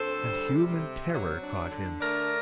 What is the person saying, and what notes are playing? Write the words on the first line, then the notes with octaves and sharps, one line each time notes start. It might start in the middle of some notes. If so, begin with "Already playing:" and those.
And human terror caught him.
Already playing: D2 C4 A4 C5
G3
C3
C4
F#3
D4
D3
A3 A#4 D5